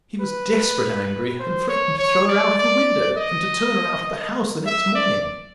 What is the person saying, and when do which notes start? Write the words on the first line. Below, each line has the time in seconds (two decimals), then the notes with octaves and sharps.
He was desperate angry, and threatened to throw her out of the window; and to turn her out of the house the next morning.
0.21 B4
1.39 C5
1.68 C#5
1.98 C#5
2.28 D5
2.58 D5
3.17 D#5
4.66 E5
4.95 D5